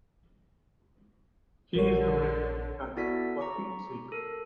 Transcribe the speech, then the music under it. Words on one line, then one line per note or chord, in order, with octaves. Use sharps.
He's the bloody Antichrist, for Pete's sake.
A#1 D3 A#4 C#5
B3 E4 F#4 A4 D5 B6
A#5 C#6 D6
A4 A#4